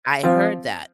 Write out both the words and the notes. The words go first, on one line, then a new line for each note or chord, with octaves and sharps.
I heard that,
F3 C4 F4